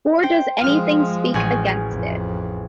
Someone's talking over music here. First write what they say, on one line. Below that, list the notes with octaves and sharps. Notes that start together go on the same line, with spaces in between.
Or does anything speak against it?
C5 G5
F3 G#3 F5 F6
A1 F#4 G#4
F2